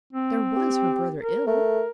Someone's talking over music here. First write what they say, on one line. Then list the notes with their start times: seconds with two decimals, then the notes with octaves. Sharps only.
There was her brother ill!
0.13 C4
0.57 G4
1.22 A#4
1.47 A3 A#4